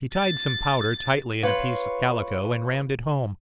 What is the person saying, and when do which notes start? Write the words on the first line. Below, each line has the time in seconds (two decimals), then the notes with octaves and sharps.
He tied some powder tightly in a piece of calico and rammed it home.
0.14 A6
1.43 F4 B4 C#5